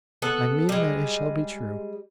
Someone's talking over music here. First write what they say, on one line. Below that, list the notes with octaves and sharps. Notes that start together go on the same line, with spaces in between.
I mean that it shall be true.
B3 A4 F#5
G3 G#3